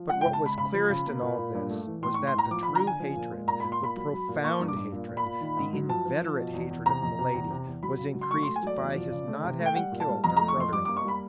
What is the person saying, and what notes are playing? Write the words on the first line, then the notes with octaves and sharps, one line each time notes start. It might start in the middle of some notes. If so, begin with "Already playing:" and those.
But what was clearest in all this was that the true hatred, the profound hatred, the inveterate hatred of Milady, was increased by his not having killed her brother-in-law.
Already playing: F3
G#3 F#5
G5
C#3
A5
G#3 B5
C#3 B5
F3
C#3
A#3
A#2
A#2
G2
A3
E3
A2 C6
C#6
A2
C6
A2 A#5
F3 D6
B5
D3
A#5
D3 G#5
F3
A#2
G#3
A#2 A#5
B5
A#2
C6
A#2 B5
F#3
F#3
A#2
A#3 C#6
G2
D6
G2
A#2
A#2
B5
A#2
D#3
G#2
F#3
F3 A5
F3
F3
B2
E2
E2
C3 A#5
F2
C3
E2
C3
E2
F#3 B5
C#3
F#3
C6
A3 C#6
C6
A3
G#5
F#3 D5
E2
F3
C#3
A3
C3
A3
G5
G3 F#5
A#2
A5
G3
F2 A#5
A#5
A3
C#6
F2 C6
G3 D6
A#3 D6
C#6
G3 B5